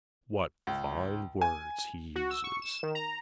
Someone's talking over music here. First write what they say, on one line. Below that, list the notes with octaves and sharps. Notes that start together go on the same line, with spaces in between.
"What fine words he uses!"
C#2
G#5
F#4
E6
C#6
E7
D#3
A#5